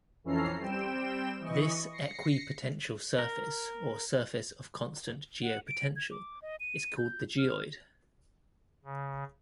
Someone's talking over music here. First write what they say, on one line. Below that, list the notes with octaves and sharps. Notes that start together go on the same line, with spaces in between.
This equipotential surface, or surface of constant geopotential, is called the geoid.
F2 E3 C#4 A4 A#5 C7
G3 C4 G5 E7
E3 D#5 C#6
A#6 C7 C#7
A#4
F#5
D7
G#6
D6
D#5
D#7
G6
F6
C#3